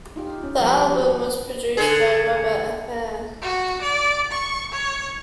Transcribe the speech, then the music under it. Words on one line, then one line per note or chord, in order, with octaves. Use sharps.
The album was produced by Robert Appere.
D#4 F4 G4
C#4
F3 G3 B3 B4 C5
F#4 G4
D3 G#4
F#4
D5
C#6
C#5